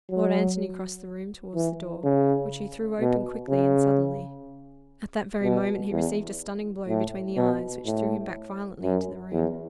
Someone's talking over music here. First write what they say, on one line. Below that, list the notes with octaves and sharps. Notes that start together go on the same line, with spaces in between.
Lord Antony crossed the room towards the door, which he threw open quickly and suddenly; at that very moment he received a stunning blow between the eyes, which threw him back violently into the room.
F#3
E3
C#3
B2
C#3
B2
E2
A2
B2
A2
F#2
E2